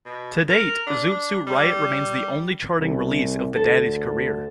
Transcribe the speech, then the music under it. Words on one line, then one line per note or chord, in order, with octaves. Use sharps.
To date, "Zoot Suit Riot" remains the only charting release of the Daddies' career.
B2
A#4
D4
G3
C2
D2 A4